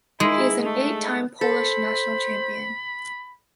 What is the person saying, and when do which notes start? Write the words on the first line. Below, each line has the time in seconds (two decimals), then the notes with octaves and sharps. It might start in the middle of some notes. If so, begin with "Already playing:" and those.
He is an eight-time Polish national champion.
0.20 G#3 D#4 E4 G#4
0.64 A3
1.41 A4 C5 B5